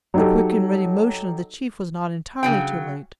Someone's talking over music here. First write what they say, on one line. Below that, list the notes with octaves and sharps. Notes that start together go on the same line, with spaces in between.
The quick and ready motion of the chief was not entirely too late.
F#3 D#4 G4 A4
C#3 F#3 G5